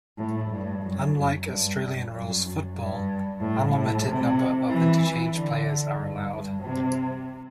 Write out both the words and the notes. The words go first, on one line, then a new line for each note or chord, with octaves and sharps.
Unlike Australian Rules Football, unlimited number of interchange players are allowed.
A2
G2
F#2
G2
G2
F#2
G2
A2
A2
C3
E3
D3
G2
G2
C3